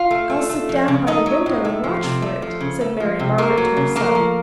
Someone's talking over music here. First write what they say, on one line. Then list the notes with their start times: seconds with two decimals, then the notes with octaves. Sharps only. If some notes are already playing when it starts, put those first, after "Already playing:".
"I'll sit down by the window and watch for it," said Mary Margaret to herself.
Already playing: F4 F5
0.11 A3
0.30 A3
0.49 A3
0.69 F3
0.88 C#3
1.07 A3 D#4 D#5
1.26 F#3
1.46 A2
1.65 A3
1.84 F3
2.03 C3
2.22 A3
2.42 F3
2.60 C#3
2.81 A3
3.00 F3
3.19 C3
3.38 A3 A#3 A#4
3.57 F#3
3.77 C#3
3.96 A3 A#3 A#4
4.15 F3